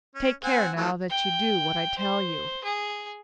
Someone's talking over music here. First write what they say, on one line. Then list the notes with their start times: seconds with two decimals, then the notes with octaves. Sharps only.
Take care now that you do what I tell you.
0.15 C#4
0.44 C4 F#5 G#5
0.77 E3 F#3 A3
1.10 G5
1.98 C5
2.63 G#4